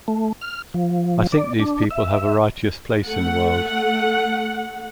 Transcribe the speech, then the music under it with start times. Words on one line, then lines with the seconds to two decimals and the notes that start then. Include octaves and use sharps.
I think these people have a righteous place in the world.
0.08 A3
0.41 F6
0.74 F3
1.32 D5
1.59 D4
1.91 E5
3.08 A3 F#5